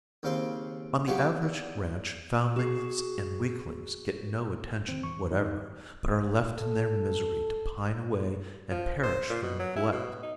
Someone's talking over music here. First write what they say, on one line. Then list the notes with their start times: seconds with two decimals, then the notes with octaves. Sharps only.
On the average ranch foundlings and weaklings get no attention whatever, but are left in their misery to pine away and perish from neglect.
0.23 D#2 C#3 C4 F5 C6
1.07 F#3 G#3 B3 F#4 G4 F5
1.42 E2
2.56 F#4 G#4
4.88 E1 D#3 C4
5.03 E1 G2 E3 C#6
5.31 G2 D#3 D#4
6.56 A4
8.71 F3
9.04 C5
9.30 A#2
9.43 B2
9.59 F#3
9.76 E4
9.92 B2
10.23 D#4